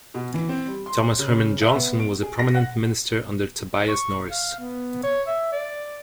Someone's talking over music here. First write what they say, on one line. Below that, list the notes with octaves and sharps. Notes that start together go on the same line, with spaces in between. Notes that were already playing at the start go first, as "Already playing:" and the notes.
Thomas Herman Johnson was a prominent minister under Tobias Norris.
B2
E3
C4
G3
C6
C#3
E5
B3
D7
G#4
A#6
F#5
C#6
F5
B3
C#5
E5
D5